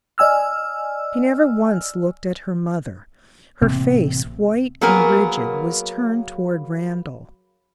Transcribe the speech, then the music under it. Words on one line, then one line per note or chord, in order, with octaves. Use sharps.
She never once looked at her mother; her face, white and rigid, was turned toward Randal.
D5 D#5 G#5 E6 F6
A1 C3 A#3 C4
F#3 A#3 B3 G#4 A#4